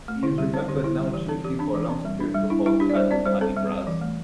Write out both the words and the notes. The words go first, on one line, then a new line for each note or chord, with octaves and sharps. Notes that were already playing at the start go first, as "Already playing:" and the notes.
He is remembered now chiefly for a long satirical poem titled "Hudibras".
A3
D3 E4
G3 G4
C4 C5
D3 G4
D3 E4
G3
E3 G4
C4 A4
E3 G4
C4 D4
E3
C4
G3
D4
G3
D4 E4
G3 E4
D4 G4
D5
G3 C5
C4 D5
G3 C5
C4 A4
G3
C4
E3
A3